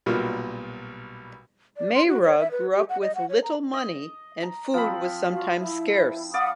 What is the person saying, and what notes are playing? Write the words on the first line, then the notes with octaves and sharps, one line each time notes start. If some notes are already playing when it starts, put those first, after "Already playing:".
Mayra grew up with little money and food was sometimes scarce.
B1 A#2 G3 F#4 A#4
D5
C6
F#4
C#5
E5
B4
G4
F#5
D#5
F#5
C#5
A#5
D#5
A#5
F3 C4 B5
F4 F#4
E4
D5 F5 F#5 B5 D#6